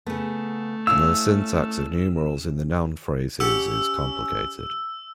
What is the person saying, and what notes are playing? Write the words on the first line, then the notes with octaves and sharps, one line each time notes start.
The syntax of numerals in the noun phrases is complicated.
C#3 A3 B3
C#4 E4 F5 E6
C#4 G4 F#5 E6